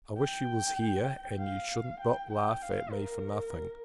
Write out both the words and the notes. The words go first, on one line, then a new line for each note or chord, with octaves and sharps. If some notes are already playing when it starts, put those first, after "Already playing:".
I wish you was here, and you should not laugh at me for nothing.
G5
F5
G5
G5
F5
A#4